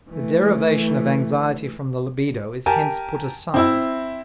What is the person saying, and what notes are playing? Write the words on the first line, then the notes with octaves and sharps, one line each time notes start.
The derivation of anxiety from the libido is hence put aside.
E3 A3
G4 A#4 G#5 A5
C4 E4 E5